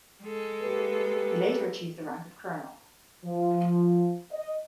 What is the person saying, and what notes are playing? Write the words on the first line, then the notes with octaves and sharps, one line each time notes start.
He later achieved the rank of Colonel.
G#3 A4
A#3 G4 B4
F3
D#5